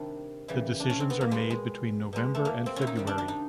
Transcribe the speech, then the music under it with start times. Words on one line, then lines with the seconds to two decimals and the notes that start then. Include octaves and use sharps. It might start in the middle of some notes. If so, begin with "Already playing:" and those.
The decisions are made between November and February.
Already playing: C3 D#3 G3 D4
0.48 C#3 E3 G3
0.80 D4
0.90 C#4
1.00 C4
1.10 B3
1.21 A#3
1.31 B2 G3 G#3
1.50 G#3
2.13 B2 F#3 G#3
2.35 A3
2.45 A#3
2.66 C4
2.76 C#4
2.81 E4
2.87 D#4
2.95 C3 D#3 G3
3.07 D4
3.18 D4
3.28 D#4